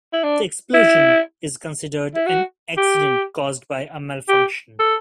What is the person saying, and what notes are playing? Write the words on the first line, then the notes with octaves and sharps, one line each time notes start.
The explosion is considered an accident caused by a malfunction.
E4
D4
E4
E4
F#4
G4
G4
A4